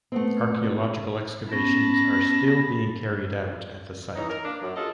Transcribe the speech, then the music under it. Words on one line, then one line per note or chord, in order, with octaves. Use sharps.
Archaeological excavations are still being carried out at the site.
A3 B3 C4
B3 C#4 A5 B5 A#6
E3 C#4 D#4
A#4
A#3 D4
F#2
F4 G#4 A4 D#5